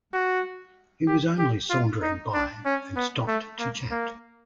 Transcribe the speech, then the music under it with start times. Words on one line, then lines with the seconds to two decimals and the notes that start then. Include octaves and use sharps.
He was only sauntering by and stopped to chat.
0.13 F#4
1.07 G4
1.38 G4
1.70 F4
2.02 D#4
2.34 D4
2.65 C#4
2.96 B3
3.28 A3
3.59 A#3
3.91 A#3